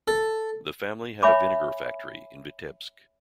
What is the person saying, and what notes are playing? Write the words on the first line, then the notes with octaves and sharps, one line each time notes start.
The family had a vinegar factory in Vitebsk.
A4
C#5 E5 G#5 B5 D6